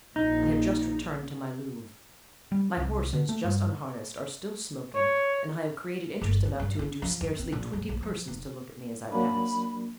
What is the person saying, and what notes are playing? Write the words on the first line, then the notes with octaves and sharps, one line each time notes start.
I have just returned to my Louvre; my horses, just unharnessed, are still smoking, and I have created interest enough to induce scarcely twenty persons to look at me as I passed.
A#1 D#4
G3
C2
D3
A3
G2
C#5
G1
A#2
G2
E4
F3
E2
C4
A#1
F#2
A#1
F3
F1
F#3 A#3 D4 B5